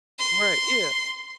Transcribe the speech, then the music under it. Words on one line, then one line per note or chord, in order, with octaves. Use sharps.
Right, yeah.
C6